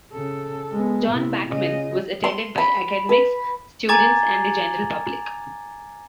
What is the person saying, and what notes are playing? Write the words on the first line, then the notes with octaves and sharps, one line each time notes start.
John Bachman was attended by academics, students, and the general public.
C#3 A4
G#3 B3
C3 E4
C#3 F4 D#5
C6
B5
B4
G#5 A#5 D6 G#6 A6